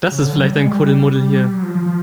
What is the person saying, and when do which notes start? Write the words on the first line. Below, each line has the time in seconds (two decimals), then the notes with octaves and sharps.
Das ist vielleicht ein Kuddelmuddel hier.
0.11 C#3
0.22 D3
0.33 F#3
0.44 G3
0.54 G#3
0.65 G3
1.53 F#3
1.63 F3
1.75 F3
1.86 F3